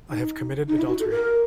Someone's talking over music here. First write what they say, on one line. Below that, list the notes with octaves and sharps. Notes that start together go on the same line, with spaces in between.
I have committed adultery.
D#4
D#4
E4
F#4
A4
A#4